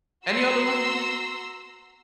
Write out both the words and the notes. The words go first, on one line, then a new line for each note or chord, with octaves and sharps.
any other ones that you can think of?
F#4 A#5 C6 E6